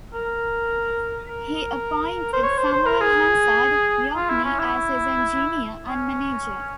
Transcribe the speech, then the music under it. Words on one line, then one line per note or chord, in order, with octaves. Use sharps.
He appointed Samuel Hansard Yockney as his engineer and manager.
A#4
A#4
C5
C#5
C5
C5
A#4
G#4
F4
E4
C#4
E4
C#4